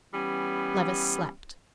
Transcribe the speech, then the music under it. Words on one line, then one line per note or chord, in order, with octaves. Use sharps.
Levice slept.
E3 G3 B3 C#4